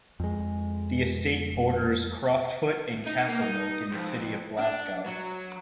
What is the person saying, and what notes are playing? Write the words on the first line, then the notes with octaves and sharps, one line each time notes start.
The estate borders Croftfoot and Castlemilk in the City of Glasgow.
F2 G#3
D#4
A#3
D#4
F2
D4
F#3